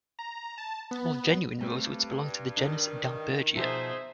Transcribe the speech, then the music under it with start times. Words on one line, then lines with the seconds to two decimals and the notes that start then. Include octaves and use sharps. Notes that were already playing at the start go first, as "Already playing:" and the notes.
All genuine rosewoods belong to the genus "Dalbergia".
0.19 A#5
0.58 A5
0.91 B3
1.61 G2 G3 A3 C4
2.57 D#3 D4
3.56 B2 F3 D#4 G#4 C5 E5